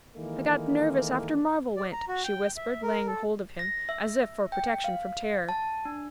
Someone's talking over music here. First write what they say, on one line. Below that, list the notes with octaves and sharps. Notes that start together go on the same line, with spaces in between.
"I got nervous after Marvel went," she whispered, laying hold of him, as if for protection from terror.
D#3 E3 G#3 A#3 E4 A4
D5
A#5
F#4
G5
E5
A#4
A4
A#6
E5
G5
F5
A5
D4